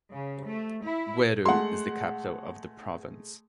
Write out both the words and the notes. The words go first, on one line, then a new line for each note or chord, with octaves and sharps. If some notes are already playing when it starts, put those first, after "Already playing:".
Gweru is the capital of the province.
C#3
A3
E4
G#3 A3 F#5 C6